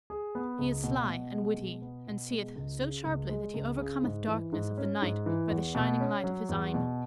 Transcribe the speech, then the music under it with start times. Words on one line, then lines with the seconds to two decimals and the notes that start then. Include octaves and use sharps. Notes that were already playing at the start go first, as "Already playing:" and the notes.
He is slye and wittie, and seeth so sharpely that he overcommeth darkness of the nighte by the shyninge lyghte of his eyne.
0.10 G#4
0.35 B3
0.59 C#2
0.84 B2
1.08 B2
1.33 G#3
1.57 B2
1.82 B3
2.07 B2
2.31 G#3
2.56 C#2
2.81 C#3
3.04 C#2
3.29 G#3
3.54 C#2
3.78 C#3
4.03 G#2
4.27 E3
4.52 G#2
4.78 C#4
5.02 G#2
5.26 E3
5.50 E2
5.75 B2
6.00 C#4
6.24 F#3
6.49 E2
6.74 B2